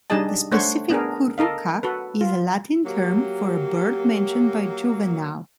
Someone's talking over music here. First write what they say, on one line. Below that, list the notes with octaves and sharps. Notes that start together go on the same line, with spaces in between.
The specific "curruca" is a Latin term for a bird mentioned by Juvenal.
G3 D4 D#4 G#4 D#5 A5
A3 D4 C5 C#5 F#5
B3 D4 G#4 A#4
A4 A#4 D#5 F5
F#4 A4 B4
F4
F#3 A#3 G4